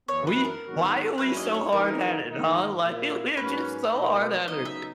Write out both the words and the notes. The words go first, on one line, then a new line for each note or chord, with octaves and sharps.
We why are we so hardheaded? Huh? Li we're just so hardheaded.
F#2 E3 B3 C#5
B4
A#4
G#2 D#3 F#3 B3 F#4
G#2 F#3 A#3 C#4 E4 B4
D#5
C#5
C#3 E3 A#3 D#4 A#4
G#2 D#3 A#3 D#4
A#2 A#3 E4
G#2 F#3 A#3 C#4 B4
B2 A#3 D#4
C#3 F#3 B3 D#4 D#5
E5